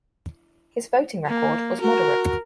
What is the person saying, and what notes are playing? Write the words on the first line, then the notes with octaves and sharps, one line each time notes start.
His voting record was moderate.
A#3
F#4 A#4